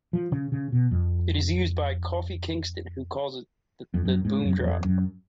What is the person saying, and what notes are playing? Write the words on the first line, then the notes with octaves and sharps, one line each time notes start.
It was used by Kofi Kingston, who calls it the "Boom Drop".
F3
C#3
C#3
B2
F2
F2
F#2
G#2
F#2
F#2
F2
F#2